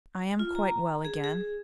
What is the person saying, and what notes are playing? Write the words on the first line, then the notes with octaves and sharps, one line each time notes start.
I am quite well again.'
F4
A#5
G#4
G#4